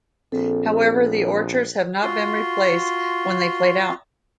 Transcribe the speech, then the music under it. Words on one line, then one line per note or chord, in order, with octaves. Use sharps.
However, the orchards have not been replaced when they played out.
A#1 C4 A4
F4 F#4 C6